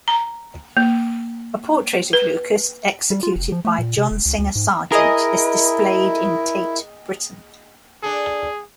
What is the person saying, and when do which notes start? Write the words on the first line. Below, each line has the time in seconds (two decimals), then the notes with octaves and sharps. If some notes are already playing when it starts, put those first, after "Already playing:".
A portrait of Lucas executed by John Singer Sargent is displayed in Tate Britain.
0.08 A#5
0.77 A#3
2.13 B4
3.10 G3
3.23 F4
3.36 F1
3.52 F3
3.65 A3
3.79 A#2
3.98 C3
4.11 F1
4.26 C#2
4.39 D2
4.55 G#2
4.92 E4 G#4 A#4 D#5
8.03 D4 G#4 A4